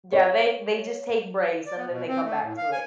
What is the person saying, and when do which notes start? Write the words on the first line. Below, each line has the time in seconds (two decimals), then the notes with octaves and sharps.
Yeah, they they just take breaks, and then they come back to it.
0.12 C#5
1.66 D5
1.78 B3
1.90 B2
2.08 C4
2.24 A3
2.43 A2
2.57 F5
2.72 G#5